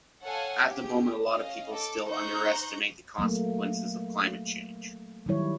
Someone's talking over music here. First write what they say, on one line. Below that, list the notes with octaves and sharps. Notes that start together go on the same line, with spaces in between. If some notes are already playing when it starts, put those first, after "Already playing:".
At the moment, a lot of people still underestimate the consequences of climate change.
A4 C#5 F5 F#5 G#5 A5
G4 G#4
C#4 D#5 F5
A4 D6
D#4 C5 A#5 C#6 F#6 G6
F#3 A3 A#3
D#3 F#3 G3 E4 C#5